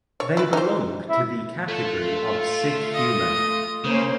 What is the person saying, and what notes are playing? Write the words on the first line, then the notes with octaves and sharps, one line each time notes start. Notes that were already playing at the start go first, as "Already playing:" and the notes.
They belong to the category of sick humor.
C#5
E4 B4
D#4 C5
E4
A3 F4 A4
D#5
C#3 A#3 C#4 C5